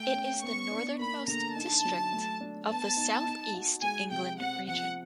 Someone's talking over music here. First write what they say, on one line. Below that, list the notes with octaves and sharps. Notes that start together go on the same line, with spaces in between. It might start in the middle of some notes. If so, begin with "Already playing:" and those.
It is the northernmost district of the South East England Region.
Already playing: A3 G5
C#4
B3 C#6
D4
A#3 B5
D3 A#5
D#4 A5
F#3
A3
D4
B3 A5
D#4
D#4
F#4
G#3 G#5
C3 G5
C4 F#5
F3 F#5